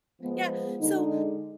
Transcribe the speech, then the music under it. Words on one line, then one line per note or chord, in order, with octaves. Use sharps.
Yeah. So
F3 G#3 B3
D3 G#3 D#4